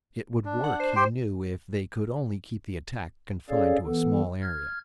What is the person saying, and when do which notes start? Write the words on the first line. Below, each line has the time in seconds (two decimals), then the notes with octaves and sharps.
It would work, he knew, if they could only keep the attack confined to a small area.
0.45 D4
0.64 F#5
0.80 C5
0.96 G4 G5 C6
3.50 C#4 G#4 A4 C#5 D5 F5
3.86 E3 B3 A4
4.42 F6 G#6